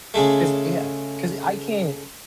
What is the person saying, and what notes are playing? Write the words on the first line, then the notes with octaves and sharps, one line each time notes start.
'cause, yeah 'cause I can't
C#3 G#3 A3